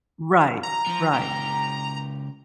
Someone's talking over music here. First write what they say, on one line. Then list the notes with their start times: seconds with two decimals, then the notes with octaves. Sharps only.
Right. Right.
0.63 A#5
0.86 F3
1.13 C#2 G4